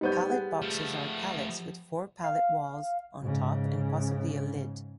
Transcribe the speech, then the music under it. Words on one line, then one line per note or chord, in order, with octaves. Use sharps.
Pallet boxes are pallets with four pallet walls on top and possibly a lid.
G3 B3 D#4 C5 C#5 G6
G#4 F#5
F3 A3
F5
G#2 C#3